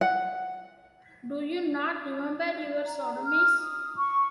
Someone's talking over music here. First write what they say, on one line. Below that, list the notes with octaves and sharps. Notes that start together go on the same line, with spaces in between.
Do you not remember your sodomies?
F#5
A#5
G#4
F6
D#6
C#6